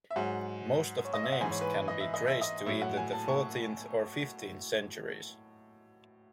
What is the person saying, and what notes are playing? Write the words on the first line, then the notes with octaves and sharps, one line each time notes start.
Most of the names can be traced to either the fourteenth or fifteenth centuries.
E5
G#2 F#3 F#5
C#5
D#5
E5
F#5
G#2 E3 G#5
C#5
B4
D#5
E5
D#5
E5
D#5
A2 F#3 E5
F#5
G#5
A5
C#6